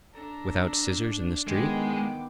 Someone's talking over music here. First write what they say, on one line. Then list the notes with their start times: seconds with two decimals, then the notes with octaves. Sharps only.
"Without scissors, in the street?"
0.14 D4 A4 A5 A#5
1.47 D3 D#3 G#3 B3 G5 D6